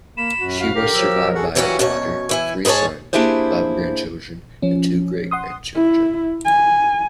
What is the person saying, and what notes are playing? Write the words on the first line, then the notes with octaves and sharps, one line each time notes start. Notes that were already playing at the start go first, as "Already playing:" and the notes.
She was survived by a daughter, three sons, five grandchildren; and two great-grandchildren.
A#3 B5 E7
F#2 F#4
F#4 F5
D3 G4 A#4
F3 F#3 E6
F#4 G#4 A4 F#5
A#2 E3 F#3 G3 C#4 F#4
F#2 B2 C#5
E3 E4 G#5
G#2 G#4 B4 C#5 A5
A#3 D4 E4 G4 G#4 C5
F3 C#4
F#5 C6 D#6
E4
G#5